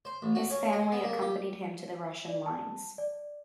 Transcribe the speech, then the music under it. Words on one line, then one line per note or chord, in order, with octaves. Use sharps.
His family accompanied him to the Russian lines.
C5
A1
F#4
C#4
D#5
B3
A#3
G4
D5
A5
D5